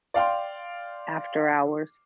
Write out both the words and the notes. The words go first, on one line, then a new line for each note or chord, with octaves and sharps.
after hours.
D5 F5 G5 C6